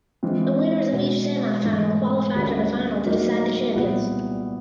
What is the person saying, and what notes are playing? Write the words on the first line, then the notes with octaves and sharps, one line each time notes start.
The winners of each semifinal qualified for the final to decide the champions.
E3 G#3 C4 F4
B2 G#3 B3
G#2 E3 A3
D2 D3 G3 A#3 C#4
A2 F#3 A#3 D#4
C2 A#2 G3 B3 E4